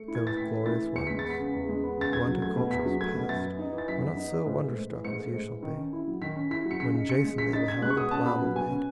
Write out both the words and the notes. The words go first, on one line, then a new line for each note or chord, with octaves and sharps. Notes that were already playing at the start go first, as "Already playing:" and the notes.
Those glorious ones who unto Colchos passed Were not so wonder-struck as you shall be, When Jason they beheld a ploughman made!
Already playing: A3 C#7
E4
G#6
E3 A6
A2 B6
A3
E4 A6
E3
E2 C#7
G#3 B6
A6
B3 B6
C#3
E2
G#3
B3
C#3 A6
E2 G#6
F#3
A3 G#6
B2
E2 B6
F#3
A3 G#6
B2
F#2 A6
B3
D#4
E3
A6
F#2 B6
B3
D#4
E3
G#2
A3
G#2
E3
G#2 C#7
A3
G#2
E3
D#3
C#4
E4
F#3
D#3 B6
C#4
E4 B6
F#3
C#7
C#3 B6
D#4
C#3 C#7
G#3
C#3 B6
D#4 A6
C#3 G#6
G#3 F#6
C#6
B2 D#6
C#4 A5
B2 B5
F#3
B2 G#5
C#4